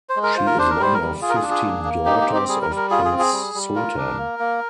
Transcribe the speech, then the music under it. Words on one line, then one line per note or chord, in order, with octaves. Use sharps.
She is one of fifteen daughters of Prince Sultan.
C5
G#3
A#4
F4 C5
A#4
D4 C5
A#4
G3 C5
A#4
G3
F4 G#4
A#4
G#4
D4
G#4
A#3
A#3
D#4 G4
G4
C4
G4
G3 G#4
A#4
G3
A#4
F4 G#4
G#4
C4
G#4
G3
G3
F4 A#4
D4
A#3
A#3